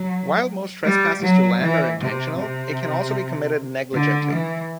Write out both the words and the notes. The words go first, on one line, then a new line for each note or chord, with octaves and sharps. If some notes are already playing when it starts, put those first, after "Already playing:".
While most trespasses to land are intentional, it can also be committed negligently.
Already playing: F#3
G3
F#3
E3
C3
C3
D3
E3